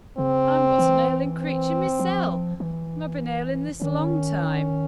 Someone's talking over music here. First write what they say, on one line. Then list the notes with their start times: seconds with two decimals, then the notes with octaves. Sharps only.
I'm but an ailing creature mysel'--I've been ailing this long time.'
0.18 C#3 C4
0.79 E3
1.39 C4
1.99 F3
2.60 E3
3.82 D#3 C#4